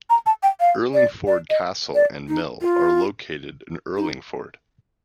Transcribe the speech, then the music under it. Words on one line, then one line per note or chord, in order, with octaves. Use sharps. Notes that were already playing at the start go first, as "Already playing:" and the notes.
Urlingford Castle and mill are located in Urlingford.
A#5
A5
G5
F5
D5
D5
D#5
D5
D#4
F4
D#4